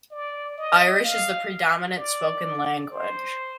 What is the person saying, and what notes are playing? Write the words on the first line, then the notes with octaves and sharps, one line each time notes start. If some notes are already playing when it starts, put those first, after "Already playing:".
Irish is the predominant spoken language.
D5
D#5
F5
D5
C5